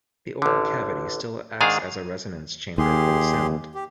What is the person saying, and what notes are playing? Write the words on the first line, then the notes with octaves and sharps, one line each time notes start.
The oral cavity still acts as a resonance chamber for the sound.
A1 D3
G#2 D#3 D4 G#4 F5
D#2 G4 G#4 C6
G4